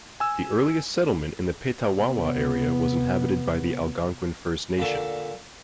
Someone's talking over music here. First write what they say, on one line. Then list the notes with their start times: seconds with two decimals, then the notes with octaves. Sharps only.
The earliest settlement in the Petawawa area was inhabited by the Algonquin First Nation.
0.20 G#5 E6
1.93 C3 B3
4.79 A#2 D3 A4 A5 C#6